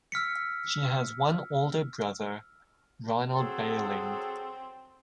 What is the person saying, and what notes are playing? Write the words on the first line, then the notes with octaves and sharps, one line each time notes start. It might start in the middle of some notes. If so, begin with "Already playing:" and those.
She has one older brother, Ronald Bahling.
E6 F6 B6 C#7
F#3 C4 G#4 A4